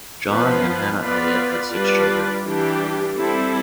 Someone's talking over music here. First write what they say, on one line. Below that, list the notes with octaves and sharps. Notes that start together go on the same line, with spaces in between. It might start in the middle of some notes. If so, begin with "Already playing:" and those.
John and Hannah Eliot had six children.
F3 B3 F4 B4
B3 F4 B4 D5
G3 D4 F4 B4 D5
E3 G3 D4 G4
G3 C4 E4 A4